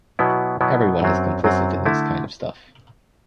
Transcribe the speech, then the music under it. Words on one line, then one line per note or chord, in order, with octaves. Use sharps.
Everyone is complicit in this kind of stuff.
B2 F#3 B3 E4
B2 F#3 B3 E4
F#2 F#3 C4
F#2 F#3 C4
D3 A3 E4